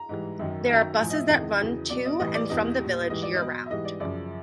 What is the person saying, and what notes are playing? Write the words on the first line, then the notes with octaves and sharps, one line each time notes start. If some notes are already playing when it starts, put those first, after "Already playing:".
There are buses that run to and from the village year-round.
Already playing: A#5
G#2 E3 G3
F#2 D#3 F#3
F#2 D#3 F#3 A#5
A2 F3 G#5
D#5
E5
E2 C3 D#3 G3 D#5
E2 C#3 F#3
B2 F#3 D5
D#5
A2 E3 G3 D#5
D5
E2 B2 G3 D#5
G3
A#2
G#2 E3 G3 D#5
D5
D#5
B2 F#3
E5
G#2 E3 G3 D#5
D5
F#2 C#3 F3 D5